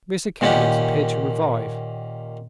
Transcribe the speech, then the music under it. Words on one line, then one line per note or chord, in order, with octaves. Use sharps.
Mr Kenwigs appeared to revive.
A#2 D#3 A#3 C#4 G4 F#5